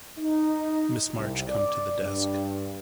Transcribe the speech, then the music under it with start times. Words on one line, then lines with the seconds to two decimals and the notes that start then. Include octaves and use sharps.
Miss March, come to the desk.
0.18 D#4
1.16 C2
1.49 D5
2.02 G2